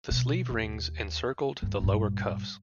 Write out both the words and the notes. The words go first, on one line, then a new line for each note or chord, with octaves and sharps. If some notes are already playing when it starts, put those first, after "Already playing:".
The sleeve rings encircled the lower cuffs.
B2
D#2
D2 G2
A#1 G2